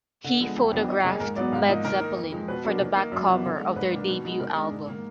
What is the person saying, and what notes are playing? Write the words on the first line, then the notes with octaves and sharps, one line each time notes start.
He photographed Led Zeppelin for the back cover of their debut album.
D3 F#5
F3 G#3 B3
F2
D#3 F#3 B3 D4
F2 D#5
D#3 A#3 D#4 G#4
G#4
G#2 A#4
F#3 B3 D#4 D5
G#2 F5
F3 A#3 D#4 D#5
D#3 A#4
A#3 D#4
F2
F3 G#3
B2 B4
F#3 A#3 D4
D#3
A#3 D#4
F#2 D5
F3 B3
D3
G#3 D4
G#2 B4
D#3 A#3 D4
B2
G#3 B3 D#4
D#3 A#4
G#3 D4
G#2
D#3 A#3